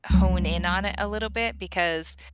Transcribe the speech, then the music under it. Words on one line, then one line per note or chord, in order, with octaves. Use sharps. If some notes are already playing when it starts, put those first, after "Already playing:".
hone in on it a little bit, because,
C#2 F#3